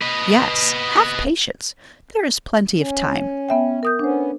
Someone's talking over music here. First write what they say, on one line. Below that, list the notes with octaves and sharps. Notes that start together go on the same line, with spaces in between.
Yes; have patience! there is plenty of time.
B4 D#5
C#4
B3 E5 G5
A#4 D#6 G6
B3 C#4 D4 C5